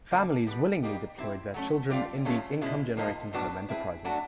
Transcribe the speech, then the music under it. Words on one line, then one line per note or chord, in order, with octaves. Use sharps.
Families willingly deployed their children in these income generating home enterprises.
D3 F3 A#3
E3 G3 B3
G3 A#3 D#4 G4
G3 C4 E4
F#3 A3 C#4
D3 G3 C4 F4
F#3 A3 C#4 F4 G#4
B2 G#3 C#4 E4
A2 F3 A#3 D#4
A2 F#3 B3 D4 F#4
C4 E4 G#4
F#3 A3 D4 F#4